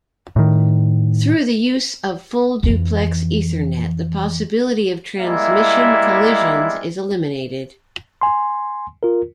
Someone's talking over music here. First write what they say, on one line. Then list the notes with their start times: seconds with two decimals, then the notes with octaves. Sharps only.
Through the use of full-duplex Ethernet, the possibility of transmission collisions is eliminated.
0.36 A2 D#3
2.63 F2 E3
5.20 G3 G#3 A#3 E4 E5
8.21 G#5 C6
9.03 F4 A#4